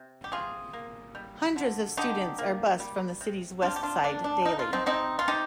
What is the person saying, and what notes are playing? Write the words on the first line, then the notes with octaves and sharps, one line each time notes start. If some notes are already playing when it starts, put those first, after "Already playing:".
Hundreds of students are bussed from the city's west side daily.
Already playing: C3
G4
C3 F4 G#4
A#3
G3
D3
D3 D#4 G4
A#3
G3
C3
C3 D4 F4
G4
D4 F4
A#3 D4
D4
F3 D#4
F4
C4 D#4
C3 C4 D#4
F4
C3 D#4 G4